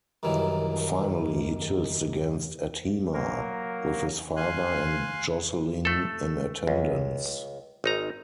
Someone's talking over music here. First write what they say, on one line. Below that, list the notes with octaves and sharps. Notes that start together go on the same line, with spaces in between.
Finally he tilts against Adhemar, with his father and Jocelyn in attendance.
C2 F#2 D#3 E3
F#3 A#3 A#4
F5 G#5 C6 F#6
A3 A4
C#2
G#1 D#4 A#5